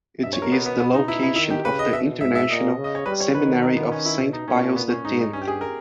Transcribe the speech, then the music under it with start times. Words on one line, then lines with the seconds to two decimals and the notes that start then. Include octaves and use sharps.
It is the location of The International Seminary of Saint Pius the Tenth.
0.23 G2 E5
0.33 C#5
0.42 A#4
0.51 B2 B3
0.66 B3
0.80 B3
0.94 D#4
1.08 E4
1.23 E4
1.36 D#3 E4
1.50 G4
1.64 C#3 B4
1.79 D#5
1.93 B2 E5
2.21 G#2 E5
2.35 E5
2.49 A#2 D#5
2.77 C#3
2.84 D#5
2.95 C#5
3.06 G3 B4
3.20 C#5
3.35 D#3 B4
3.63 A#4
3.76 B3
3.92 C#4
4.05 E4
4.19 B2 E4
4.33 D#4
4.48 A#2 C#4
4.76 B3
4.90 C#4
5.05 G#2 D#4
5.19 D#4
5.33 G2 C#4
5.42 G4
5.47 G#4
5.61 A#4